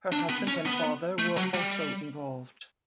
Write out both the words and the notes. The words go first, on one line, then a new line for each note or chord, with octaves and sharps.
Her husband and father were also involved.
D4
B3
C#4
B3
A3
F#3
G3